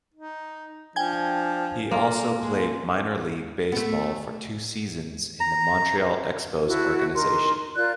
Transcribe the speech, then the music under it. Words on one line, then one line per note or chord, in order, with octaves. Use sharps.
He also played minor-league baseball for two seasons in the Montreal Expos organization.
D#4
F3 D4 G5 G#5 G#6
A#3 F4 A4
G#3
A3 B3
A#5
E4 F#4 A4
D#4 A#4 C6
F4 A#4 D5 F#6